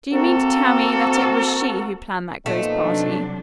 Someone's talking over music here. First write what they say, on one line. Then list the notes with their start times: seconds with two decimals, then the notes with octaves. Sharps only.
"Do you mean to tell me that it was she who planned that ghost party?"
0.12 A#3 C4 F#4 A4
2.46 A#2 F3 A3 B3 D#4
2.79 C3 F#3 D4